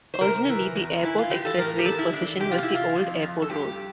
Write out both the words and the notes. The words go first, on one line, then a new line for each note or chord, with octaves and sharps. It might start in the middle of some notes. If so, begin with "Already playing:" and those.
Originally, the Airport Expressway's position was the old airport road.
C5
C3 A#4
E3
E2
E3 E4
F4
E3 G4
A4
A2 A#4
G4
E3 A4
E4
E3 D4
C3 G4
F4
C3 E4
F4
F2
F2
A4
G2 G4